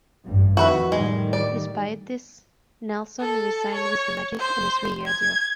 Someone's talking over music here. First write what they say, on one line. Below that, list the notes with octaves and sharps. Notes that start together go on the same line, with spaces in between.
Despite this, Nelson re-signed with the Magic on a three-year deal.
A1 G2
F2 D#3 F#4 B4 E5
A2 D#3 G3 G#3
D5
A4
C#5
C5
G#6